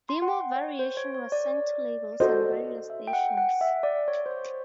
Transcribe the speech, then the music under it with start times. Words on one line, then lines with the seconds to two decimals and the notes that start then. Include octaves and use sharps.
Demo Variation was sent to labels and radio stations.
0.09 C6
0.22 F#5
0.33 G5
0.56 C#5
0.79 C5
0.97 C#5
1.14 C#5
1.32 D5
2.20 F#4 A4 C5 D#5
2.90 E5
3.07 G5
3.13 F#5
3.38 F#5
3.61 E5
3.83 D5
4.08 C#5
4.26 C5
4.31 C#5
4.45 C5